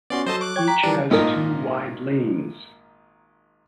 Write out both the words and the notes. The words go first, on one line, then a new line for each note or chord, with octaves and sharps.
Each has two wide lanes.
B3 C#4 F#4 D5 C6
F#3 A4 C5 D#5 A5
C#6 D6 F#6
C#5 G5 C#6 G#6
G5 A#5 B6
D#3 E3 G3 D4
G#1 A#2 D#4 A#4 D#5